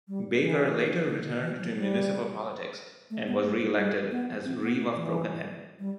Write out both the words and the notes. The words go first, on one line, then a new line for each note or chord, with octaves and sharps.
Baker later returned to municipal politics, and was re-elected as reeve of Brokenhead.
G3
E3
D3
D3
E3
F#3
G3
A3
B3
A3
G3
G3
B3
C4
B3
A3
E3
G3